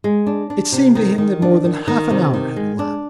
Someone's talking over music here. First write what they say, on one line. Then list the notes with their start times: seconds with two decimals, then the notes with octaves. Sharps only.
It seemed to him that more than half an hour had elapsed.
0.04 G#3
0.27 D4
0.50 D4
0.72 C3
0.95 D#3
1.18 D#3
1.42 D4
1.64 D#3
1.88 D#3
2.11 C3
2.34 D#3
2.56 G#3
2.79 D4